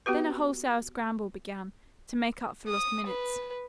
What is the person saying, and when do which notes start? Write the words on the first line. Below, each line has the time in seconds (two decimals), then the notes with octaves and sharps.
Then a wholesale scramble began, to make up for lost minutes.
0.06 B3 F#4 G4 B4
2.68 D#6
3.06 B4